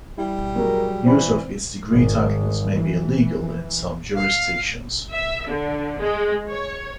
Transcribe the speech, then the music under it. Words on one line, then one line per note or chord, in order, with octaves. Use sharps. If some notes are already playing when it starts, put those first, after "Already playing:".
Use of its degree titles may be illegal in some jurisdictions.
G3 E4
F#3 G#3 A#4
E3 C4 D5 B5
G#1
E3
F5
E5
D3
G#3
C#5